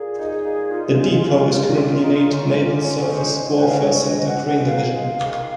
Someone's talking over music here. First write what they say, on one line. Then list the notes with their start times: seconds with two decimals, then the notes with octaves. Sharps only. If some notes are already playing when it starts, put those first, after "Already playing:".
The depot is currently named Naval Surface Warfare Center Crane Division.
Already playing: A#2 G#4
0.18 D#4
0.32 G#4
0.44 A#2
0.71 D#4 F4
0.98 G#3
1.23 G#3
1.50 A#2
1.77 G#3
2.02 D#4
2.30 C#4
2.56 G#2
2.83 C#4
3.09 G#3 C5
3.35 G#2
3.48 G#5
3.58 C#4 F#5
3.67 F5
3.77 D#5
3.87 G#2 C#5
4.07 D#5
4.14 G#2
4.27 F#5
4.40 G#3
4.46 F#5
4.66 G#2 F5
4.93 G#3
5.19 D#3